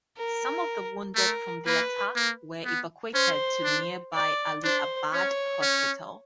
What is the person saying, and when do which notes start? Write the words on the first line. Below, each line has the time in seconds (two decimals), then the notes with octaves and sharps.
Some of the wounded from the attack were evacuated to nearby Ali Abad hospital.
0.17 A#4
1.15 A3 A#4
1.66 A#3 B4
2.16 A#3
2.65 B3
3.14 C#4 C5
3.64 D4
4.13 D5
4.63 D4 C5
5.12 C#4 C#5
5.62 C#4